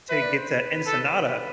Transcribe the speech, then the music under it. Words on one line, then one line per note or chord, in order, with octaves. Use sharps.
to get to Ensenada
B4 E5
D5
C5
B4
A4
B4